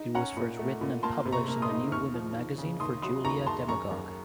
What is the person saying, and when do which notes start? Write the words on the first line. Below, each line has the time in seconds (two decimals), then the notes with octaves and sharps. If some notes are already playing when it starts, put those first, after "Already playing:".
It was first written and published in "The New Woman" magazine for Julia Demagogue.
Already playing: D#4
0.15 C#4 F#5 A#5
0.37 A#2
0.59 A3
0.81 A#2
1.03 A#3 A5 C6
1.25 C3
1.32 A#5 C#6
1.48 A#3
1.62 C6 D#6
1.70 D#4
1.92 D#2 C#6 F6
2.14 F3
2.36 D#2
2.58 C#3
2.80 D#2 C6 D#6
3.02 F#3 C6 D#6
3.24 D#2 A#5 C#6
3.46 D#2 A5 C6
3.68 F#2 A#5 C#6
3.91 F#2